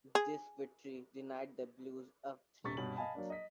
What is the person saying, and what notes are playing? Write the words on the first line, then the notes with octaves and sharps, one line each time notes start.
This victory denied the Blues a three-peat.
G#4
D#1 C3 C#6 A6 B6
G2 B2 C#5 B5 F#7
D#5 F5 G#5 A5 B5
F#3 A#3 D4
D#5 B6